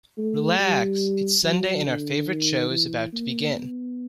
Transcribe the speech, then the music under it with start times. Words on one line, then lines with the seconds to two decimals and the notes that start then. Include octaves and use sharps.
Relax! It's Sunday and our favorite show is about to begin!
0.17 A3
0.59 G3
1.43 F#3
1.86 D3
2.28 D#3
2.70 E3
3.12 A#3
3.55 B3